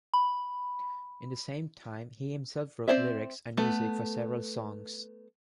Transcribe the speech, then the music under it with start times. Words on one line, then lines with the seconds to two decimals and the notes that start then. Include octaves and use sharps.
In the same time, he himself wrote lyrics and music for several songs.
0.14 B5
2.88 C4 E4 C5 D5 E5
3.57 A3 B3